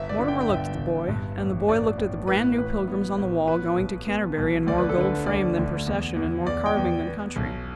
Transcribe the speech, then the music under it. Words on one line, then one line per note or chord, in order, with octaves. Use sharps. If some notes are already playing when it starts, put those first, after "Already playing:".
Mortimer looked at the boy, and the boy looked at the bran-new pilgrims on the wall, going to Canterbury in more gold frame than procession, and more carving than country.
Already playing: G1 E5
D5
D3
G5
G5
G1 E5
G1
G2
A1
A1 D5
A1
A2 B4
A1 B4
B3
A1
B3 B4
B1
B3
B1
D2 D5
B4
A4
D3 B4
D2 D5
D2
E2
E2
E2 D5
G5
E2
B3
B1